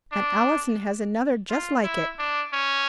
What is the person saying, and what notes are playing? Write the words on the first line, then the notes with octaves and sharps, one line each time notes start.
And Allison has another just like it.
D4
F4
E4
D4
C#4